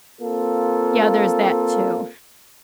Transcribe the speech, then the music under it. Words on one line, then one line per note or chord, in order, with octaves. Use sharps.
Yeah, there's that too.
A#3 C4 F4 A4